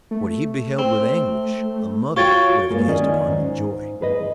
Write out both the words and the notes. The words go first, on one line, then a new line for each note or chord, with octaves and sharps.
What he beheld with anguish, a mother would have gazed upon with joy.
A3
C4
F4 F#4 C#5 G5 C#6 G#6 A6
G2 G#3 A#3
D#3 C#4 F4 D5 D#5
G#2
G#4 B4 D#5